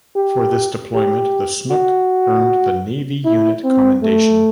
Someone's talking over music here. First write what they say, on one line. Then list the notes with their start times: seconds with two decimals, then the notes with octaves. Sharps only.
For this deployment the "Snook" earned the Navy Unit Commendation.
0.16 G4
0.94 G4
1.71 F#4
3.25 E4
3.64 C4
4.02 A3